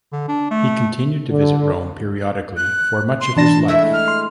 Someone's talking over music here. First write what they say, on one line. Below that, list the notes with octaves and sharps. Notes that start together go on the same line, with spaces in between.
He continued to visit Rome periodically for much of his life.
D3
D4
A3
D3
F#6
C6
E3 D4 A5 A#6
G#3 A3 E4 E5
F6
C6